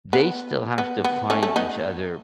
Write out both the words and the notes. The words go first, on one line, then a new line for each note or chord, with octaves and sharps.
they still have to find each other
B3
B3
B3
A3 C#4
A3 C#4
B3 D#4